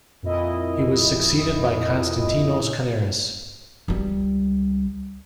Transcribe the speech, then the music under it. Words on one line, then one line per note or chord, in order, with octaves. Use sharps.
He was succeeded by Konstantinos Kanaris.
F2 A#2 E4 D#5
C#2 G3